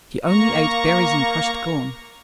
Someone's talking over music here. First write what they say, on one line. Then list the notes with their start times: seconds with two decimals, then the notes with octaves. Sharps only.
She only ate berries and crushed corn.
0.24 A#3 A#5 C#6